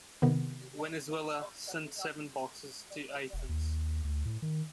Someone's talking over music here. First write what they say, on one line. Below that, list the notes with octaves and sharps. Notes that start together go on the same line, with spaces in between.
Venezuela sent seven boxers to Athens.
C3 D#3 B3
E1
D#2
D2
A2
D#3